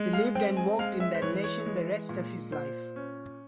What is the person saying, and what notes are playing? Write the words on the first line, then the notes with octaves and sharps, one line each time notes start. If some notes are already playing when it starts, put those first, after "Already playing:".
He lived and worked in that nation the rest of his life.
Already playing: G#3
F5
C4 G5
G#5
G#3 F5
E5
C5
E3 C#5
C#5
G#3
A#2
A#2 C5
C#4